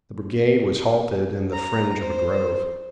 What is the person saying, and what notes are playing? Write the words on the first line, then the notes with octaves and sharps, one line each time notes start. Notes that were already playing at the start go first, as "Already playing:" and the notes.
The brigade was halted in the fringe of a grove.
A#5
C5